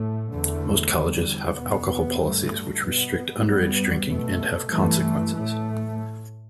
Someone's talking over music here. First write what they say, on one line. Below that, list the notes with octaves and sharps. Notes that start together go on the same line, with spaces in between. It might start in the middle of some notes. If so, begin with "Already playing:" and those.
Most colleges have alcohol policies which restrict underage drinking and have consequences.
Already playing: A2 A3
E2 D3 A3
E2 D3 G3
E2 B2 B3
G2 D3 A3
B2 B3
G2 G3 B3
B2 A3
G2 E3 A3
A2 A3